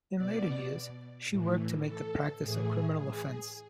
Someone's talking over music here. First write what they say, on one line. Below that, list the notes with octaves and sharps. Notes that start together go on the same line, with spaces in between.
In later years, she worked to make the practice a criminal offense.
B2 D5
A2 E3
A4
A2 E3 G#4
G#4